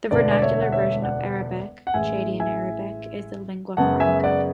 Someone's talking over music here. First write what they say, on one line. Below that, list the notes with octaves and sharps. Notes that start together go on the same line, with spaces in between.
A vernacular version of Arabic, Chadian Arabic, is the lingua franca.
E1 D2 D3 B4 D5
D5
C#5 E5
F#5
C#5 E5
D5 F#5
F#5
A1 A2 E3 G#3 E5 G#5
E5 G#5
F#2 C#3 G#3 B3 F#5 A5
E5 G#5
D5 F#5